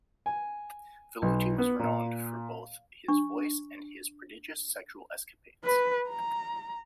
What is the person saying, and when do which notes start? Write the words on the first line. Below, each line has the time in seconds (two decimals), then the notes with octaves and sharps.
Velluti was renowned for both his voice and his prodigious sexual escapades.
0.26 G#5
1.22 B1
1.58 B3
1.79 A#2
3.08 D4 C#6
5.64 B4
6.09 A#5